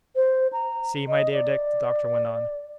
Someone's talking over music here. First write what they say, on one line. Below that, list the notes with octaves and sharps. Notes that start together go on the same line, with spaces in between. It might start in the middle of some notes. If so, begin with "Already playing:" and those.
"See, my dear Dick!" the doctor went on.
C5
A#5
D#5
D5